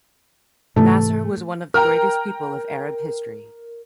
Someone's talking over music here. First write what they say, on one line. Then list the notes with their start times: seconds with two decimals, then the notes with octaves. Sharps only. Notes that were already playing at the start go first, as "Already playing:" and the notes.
Nasser was one of the greatest people of Arab history.
0.76 G#2 C3 E3 A3
1.74 A#4 G5 A#5 F6